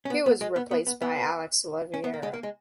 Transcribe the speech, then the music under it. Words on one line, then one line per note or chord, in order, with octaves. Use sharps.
He was replaced by Alex Oliveira.
C#4
B3
B3
G#3
B3
B3
B3
B3
C#4
B3
A#3
G#3
A#3
G#3